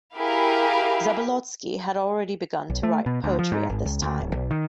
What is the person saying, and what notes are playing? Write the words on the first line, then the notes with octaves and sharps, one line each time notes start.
Zabolotsky had already begun to write poetry at this time.
E4 G4 G#4 A#4 F5 B5
B1
A3
B2
D2
F3
G#2
G#1
C#2
D2
D1
B1
D#3